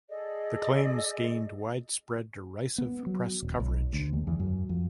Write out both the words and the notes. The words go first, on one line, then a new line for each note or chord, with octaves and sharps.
The claims gained widespread derisive press coverage.
G#4 A4 D5 D#5
B3
F#3
D#1
B1
D2
D#2
E2
F#2
F2